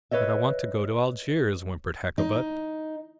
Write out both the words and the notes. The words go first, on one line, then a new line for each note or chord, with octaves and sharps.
"But I want to go to Algiers," whimpered Hakkabut.
B4 C#5 D#5 E5
D#4